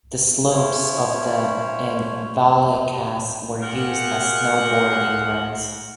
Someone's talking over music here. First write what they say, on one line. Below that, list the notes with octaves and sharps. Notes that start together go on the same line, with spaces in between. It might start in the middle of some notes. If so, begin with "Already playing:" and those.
The slopes of the in Vallecas were used as snowboarding runs.
A3 C#4 E4 C5 C#5
F4 G4 G#4 A#4 F#5